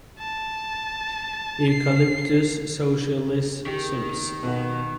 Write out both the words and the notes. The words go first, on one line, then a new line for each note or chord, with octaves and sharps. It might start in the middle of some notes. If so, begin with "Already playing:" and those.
Eucalyptus socialis subsp.
A5
C7
D#3 G4
B2 B3